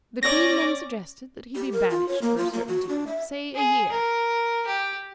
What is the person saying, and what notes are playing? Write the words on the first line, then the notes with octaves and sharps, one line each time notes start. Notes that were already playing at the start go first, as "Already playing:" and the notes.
The Queen then suggested that he be banished for a certain time, say a year.
C#4 D5 A#6
G4
A#4
F4
C#5
A#3
F4
A#3
F#4
D4
E5
G#4
A#4
G4